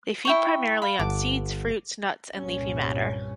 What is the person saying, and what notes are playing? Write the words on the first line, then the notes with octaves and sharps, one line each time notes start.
They feed primarily on seeds, fruits, nuts, and leafy matter.
E4 G5 C#6
F5 B5
G1 F#5 A5 D6
C2 G2 A#2 C#4